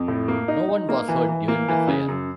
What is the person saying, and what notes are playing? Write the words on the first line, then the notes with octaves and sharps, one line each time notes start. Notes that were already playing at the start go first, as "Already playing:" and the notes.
No one was hurt during the fire.
Already playing: F2
A2
A#3
D#4
D#4
A#3
E3
E3
A#3
E3
C#3
F#2